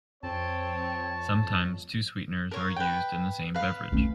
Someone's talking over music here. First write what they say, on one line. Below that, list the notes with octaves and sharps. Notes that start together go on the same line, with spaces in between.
Sometimes two sweeteners are used in the same beverage.
F2 C4 C#5 A5
A#4 C#5 F5
B4 G5
B4 F5
A3 C#4